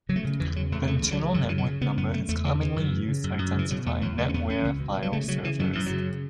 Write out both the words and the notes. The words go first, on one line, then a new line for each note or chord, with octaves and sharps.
The internal network number is commonly used to identify NetWare file servers.
C#3 F#3
A3
C#3
E2 E3
C#3 F#3
E2 A3
C#3 A3
C#2
F#3
C#3
F#2 F#3
C#3 E3
F#3
C#3
C#3 B3
F#2 B3
F#2 A3
E2 A3
C#3 E3
C#3 E3
F#2
C#3
C#3
F#2
F#2
C#3 E3
B2 F#3
E2 A3
E2 F#3
C#3 A3
C#4
E2 B3
E2 C#4
C#2
B2
B2
F#3
C#3 A3
C#3 F#3
C#3 E3
F#2 F#3
F#2 E3
C#3 F#3